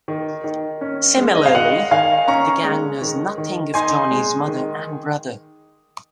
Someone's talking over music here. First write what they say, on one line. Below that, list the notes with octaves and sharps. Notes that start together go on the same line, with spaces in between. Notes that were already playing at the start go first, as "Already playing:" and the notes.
Similarly, the gang knows nothing of Johnny's mother and brother.
D#3
D#3
C#4
G#3
D#5
F5
D#3 D#5 F#5
D#3 F5 G#5
C#4 A#5 C#6
G#3
D#3
D#3
D#4 G#5 C6
G#3
D#3